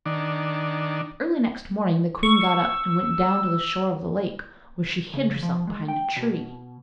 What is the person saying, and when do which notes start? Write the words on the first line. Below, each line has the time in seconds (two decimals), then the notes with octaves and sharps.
Early next morning the queen got up and went down to the shore of the lake, where she hid herself behind a tree.
0.06 D#3 D4
2.23 C#6 E6
5.14 C#3
5.43 F3
5.67 G#3
5.88 G5
6.17 B2